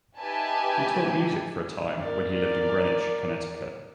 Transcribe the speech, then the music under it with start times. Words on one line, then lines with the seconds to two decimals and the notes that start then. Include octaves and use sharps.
He taught music for a time when he lived in Greenwich, Connecticut.
0.18 D#4 G4 B4 E5 G#5 A5
2.01 A#4 D5